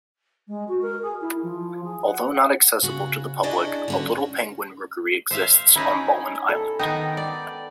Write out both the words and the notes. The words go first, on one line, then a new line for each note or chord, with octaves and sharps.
Although not accessible to the public, a little penguin rookery exists on Bowen Island.
G#3
F#4
A#4
G#4
E4
F3
G#4
F#5
C#3 F#4
D4 E4 F#4 G#4 D5 D#5
D3 C#4 F#4
C5 E5 F5
C#4 D#4 E4 B5
A4
D#3 B3 D#4 G5
D5